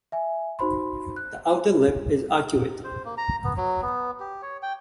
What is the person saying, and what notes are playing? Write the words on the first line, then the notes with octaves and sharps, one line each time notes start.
The outer lip is arcuate.
E5 G#5
D#4 F#4 C5 B5 C6
F#6
C5
A#3
A#5
B3
F#3
B3
G4
C#5
G5